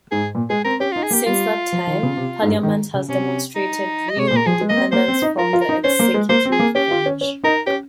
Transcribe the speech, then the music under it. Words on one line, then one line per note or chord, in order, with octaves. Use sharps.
Since that time, Parliament has demonstrated real independence from the executive branch.
G#2 G#4
A#2
G#3 G#4
C4 A#4
C#4 G4
F4
D#4
G#4
A#3
G4
G3 F4
F3
D#3
C#3
C3
G#2
G2
D#3
C#3
C3 C#4
D#4
D#5
C3
C#5
A#2 C5
A#4
F3 G#4
G#3
A#3 D#5
C4
A#3 C5
C4
D#4
F4 A#4
F4
A#4
D#4
C#4 C5
A#3
G#3
A#3 C5
C4
G#4
A#3
C#4 G4
F4
C#4
C#4
D#4 A#4
C#4 G4